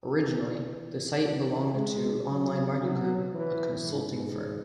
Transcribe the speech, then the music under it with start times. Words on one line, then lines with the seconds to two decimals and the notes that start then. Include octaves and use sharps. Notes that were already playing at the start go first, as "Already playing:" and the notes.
Originally, the site belonged to Online Market Group, a consulting firm.
0.15 E3
1.22 E3
1.74 G#3
2.28 F#3
2.81 F#3
3.34 E3
3.88 G#2